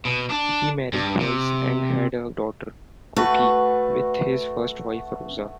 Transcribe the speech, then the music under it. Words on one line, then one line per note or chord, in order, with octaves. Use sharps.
He married twice and had a daughter, "Coqui", with his first wife, Rosa.
B2
D4
G2
C3
A3 F#4 B4